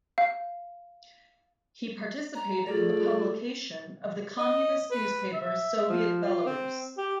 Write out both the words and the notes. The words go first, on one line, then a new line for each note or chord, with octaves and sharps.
He participated in the publication of the communist newspaper "Soviet Belarus".
F5
A#5
A3 F4 G#4 D5
D#5
B4
E5
F3
F4
C4
G4